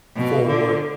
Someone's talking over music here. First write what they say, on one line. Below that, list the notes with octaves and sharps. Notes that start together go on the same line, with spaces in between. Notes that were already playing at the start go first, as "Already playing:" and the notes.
for what
B2
D3